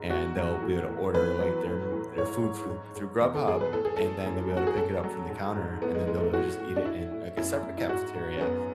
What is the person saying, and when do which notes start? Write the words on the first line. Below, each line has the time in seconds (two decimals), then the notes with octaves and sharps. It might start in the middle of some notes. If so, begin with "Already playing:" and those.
And they'll be able to order like their m their food through through Grubhub, and then they'll be able to pick it up from the counter, and then they'll just eat it in, like, a separate cafeteria.
Already playing: G#2
0.10 E2 F#4
0.36 F#3
0.62 A2
0.88 A2
1.14 E2 B4
1.40 F#3
1.66 A2
1.92 A2
2.18 G#2 C#5
2.43 G#2
2.69 G#2
2.95 G#2
3.22 E2
3.35 A4
3.48 F#3 G#4
3.61 B4
3.73 A2 A4
3.85 G#4
3.97 A2 A4
4.26 F#2
4.52 F#2
4.57 F#4
4.67 G#4
4.77 F#2 A4
5.04 F#3
5.30 G#2
5.55 G#2
5.82 A2 B3
5.95 G#3
6.07 A2 G#3
6.20 A3
6.33 A2 F#4
6.59 A2
6.76 D4
6.85 A2 E4
7.11 A2
7.37 F#2 E4
7.63 F#2
7.78 E4
7.89 G#2 F#4
8.15 G#2
8.37 C#4
8.41 F#2 B3